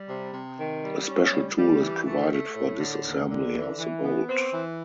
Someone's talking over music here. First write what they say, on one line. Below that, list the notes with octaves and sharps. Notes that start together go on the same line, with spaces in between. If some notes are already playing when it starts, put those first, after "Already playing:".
A special tool is provided for disassembly of the bolt.
Already playing: G3
C3
C3
D#3
G3
C#4
G3
G3
E3
A3
A3
A2
D3
D#2
D3
E3
E3
B3
C4
E3